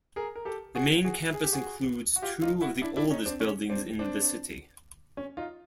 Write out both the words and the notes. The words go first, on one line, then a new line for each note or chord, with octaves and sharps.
The main campus includes two of the oldest buildings in the city.
G#4 A#4
A#4
G4 A4
F#4 G#4
F#4 G#4
G#4
G4
F#4 G#4
F#4
F4 G4
D#4 F4
E4 F#4
D4 E4
D4 E4
C#4 D#4
C4 D4
C#4
C4 D4
C4 D4
C#4
D#4 F4